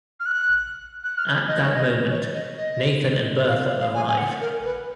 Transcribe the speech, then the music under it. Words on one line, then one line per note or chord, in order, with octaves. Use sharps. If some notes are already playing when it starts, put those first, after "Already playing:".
At that moment, Nathan and Bertha arrive.
F6
F#6
F#6
F6
D#5
C#5
D#5
C#5
D#5
D#5
F5
F5
G#5
G#5
F#5
A#4
B4